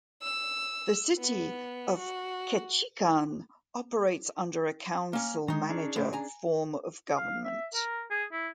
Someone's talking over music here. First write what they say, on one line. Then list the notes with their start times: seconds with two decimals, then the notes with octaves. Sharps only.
The City of Ketchikan operates under a council-manager form of government.
0.22 E6
1.18 B3
1.98 F#4
5.13 A#3 C#4
5.48 D#3 G#3 D#4 A#5
5.69 C#4 D4 G#4
5.96 A2 F3 A3
6.13 G#5 A#5
7.17 F5
7.44 E5
7.74 A#4
8.11 G#4
8.32 E4